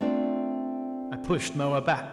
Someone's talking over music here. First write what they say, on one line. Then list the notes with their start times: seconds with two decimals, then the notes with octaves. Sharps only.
I pushed Moa back.
0.01 A3 B3 C4 D4 F4 D5